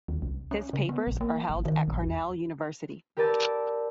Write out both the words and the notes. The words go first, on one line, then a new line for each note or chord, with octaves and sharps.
His papers are held at Cornell University.
D#2
C2
C#4
C#3
B3
A#1
A#3
G#1
D#3
A#1
E2
G4 A#4 B4 D5 A5 E6